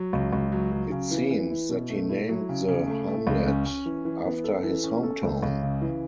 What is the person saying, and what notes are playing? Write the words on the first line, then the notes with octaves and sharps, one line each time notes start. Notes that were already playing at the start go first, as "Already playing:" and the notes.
It seems that he named the hamlet after his home town.
Already playing: F#3
C#2
C#2
F#3
F#3
C#3
E3
E3
E4
B2
A3
E4
F#3
C#3
C#3
A3
A3
C#2
C#4
C#4
E3
E3
B3
A4
E3
C#4
A4
C#2
C#2
C#3
E3